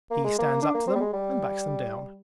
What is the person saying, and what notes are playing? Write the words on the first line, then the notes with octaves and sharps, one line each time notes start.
He "stands up to them" and backs them down.
A#3
G#3
A#3
D4
A#3
C4
G3
G#3
G3